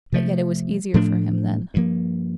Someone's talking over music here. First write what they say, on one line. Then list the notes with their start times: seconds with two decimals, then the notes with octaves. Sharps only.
But yet it was easier for him then.
0.12 C3 F3 A3
0.94 A2 F3 A3 D4
1.74 G2 F3 A#3